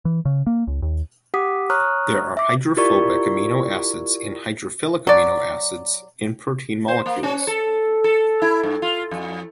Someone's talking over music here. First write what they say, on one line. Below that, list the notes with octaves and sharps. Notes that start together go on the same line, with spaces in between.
There are hydrophobic amino acids and hydrophilic amino acids in protein molecules.
E3
C#3
A#3
C#2
D#2
G4 F#5 D6 D#6 B6
C#5 A#5 C#6 D#6 F6 F#6
E5 D6
E4 F4 G4 A#4 D5 C#6
F#3 D5
C5
A#3
C#4
A4
A4
E4
G2
F4
F2